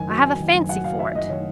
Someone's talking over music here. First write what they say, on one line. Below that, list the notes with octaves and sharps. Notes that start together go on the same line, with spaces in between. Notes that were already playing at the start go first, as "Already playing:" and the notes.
I have a fancy for it.
Already playing: F#1 D#3 G#5
F#3
F#3 G#5
D#3
F#1
F#3 F#5
F#3 F5
F#3 E5
F#1 D#5
D#3 C#5